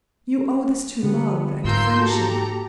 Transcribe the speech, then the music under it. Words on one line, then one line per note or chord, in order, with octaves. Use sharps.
You owe this to love and friendship.
D3 G3 B3
G#2 F4 A#4 C6 E6 G6
A#3 F#4 G4 A4 A#5